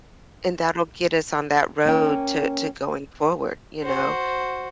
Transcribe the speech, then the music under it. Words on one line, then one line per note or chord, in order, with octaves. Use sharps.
And that'll get us on that road to to going forward, you know?
A#3 C#4 G5
F#4 C5